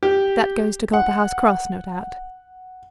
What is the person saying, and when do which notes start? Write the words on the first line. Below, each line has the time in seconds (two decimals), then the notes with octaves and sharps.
That goes to Copperhouse Cross, no doubt.
0.03 G4
0.93 F#5